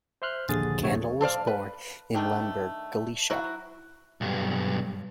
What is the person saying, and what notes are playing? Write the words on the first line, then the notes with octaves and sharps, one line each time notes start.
Kandel was born in Lemberg, Galicia.
C5 E5 C6 F6 F#6
A#1 D#2 D3 G#4 A6
A#1 C3 A3 C#5
A4 C5 D5 F5
B4
D#3 A3 D4 G4
F#3 E4 F#4
B1 G2